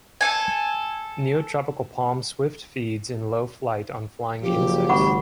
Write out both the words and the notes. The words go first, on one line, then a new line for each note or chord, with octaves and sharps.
Neotropical palm swift feeds in low flight on flying insects.
A4 G#5
F#1 F3 G4
G#1 F#5 B5 C#6